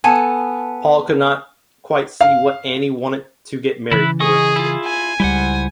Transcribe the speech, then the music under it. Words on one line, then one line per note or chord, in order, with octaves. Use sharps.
Paul could not quite see what Annie wanted to get married for.
B3 A4 G#5 A5
F5
C#3 E3 E4 B5 F#6
G#4 D#5 C#6 D#6
E4 F4
G#5
C#2 G3 E4 C5 F#5